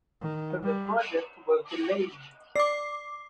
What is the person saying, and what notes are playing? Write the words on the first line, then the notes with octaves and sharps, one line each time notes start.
The project was delayed.
D#3
G3
D5 D6 C7